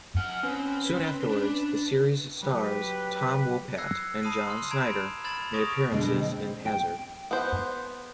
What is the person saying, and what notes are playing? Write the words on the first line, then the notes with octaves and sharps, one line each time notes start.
Soon afterwards, the series' stars Tom Wopat and John Schneider made appearances in Hazard.
F#5 G#5 F6
C4 C#4 B4
D4
F#3 G4 B4
E6 F#6 G#6 A#6 C7 C#7
A5 B5 D#6 F6 C7 D#7
C6 F6
A#5 B5 G#6 D7 E7
B5 F6 G#6 A6 E7 F#7
C#6 D#6 G#6 A#6 D7 F7
B2 D3 G#3
C4
G5
B3 C5